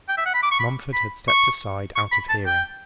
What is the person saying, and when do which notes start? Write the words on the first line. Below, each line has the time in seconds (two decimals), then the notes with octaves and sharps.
Mumford had stepped aside, out of hearing.
0.09 G5
0.18 E5
0.26 F#5
0.34 B5
0.43 D6
0.51 C#6
0.59 B5
0.93 B5
1.28 C#6
1.96 C#6
2.12 B5
2.29 A5
2.46 G5